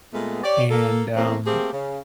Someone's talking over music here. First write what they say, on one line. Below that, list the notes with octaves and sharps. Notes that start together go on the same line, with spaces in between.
And, um,
A#2 G#3 A3 B3
G4 C#5 D5
A#3 A4
E2 A3 A#3 C4
A3 A#3 C4 G4 G#4
C#3